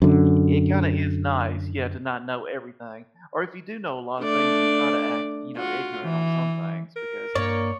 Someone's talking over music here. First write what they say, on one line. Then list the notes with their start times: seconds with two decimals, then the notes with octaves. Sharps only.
Uh, it it kinda is nice, yeah, to not know everything, or if you do know a lotta things and try to act, you know, ignorant on some things because
0.02 F#2 D3
4.20 A3 D4 D5
5.56 F4 F#4
6.04 E3
6.96 A#4
7.35 G2 A#3 D4 C#5 D5